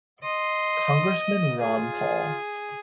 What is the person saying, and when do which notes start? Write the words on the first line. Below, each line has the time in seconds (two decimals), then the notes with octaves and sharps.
Congressman Ron Paul.
0.24 D#5 C6
1.62 F4 G#4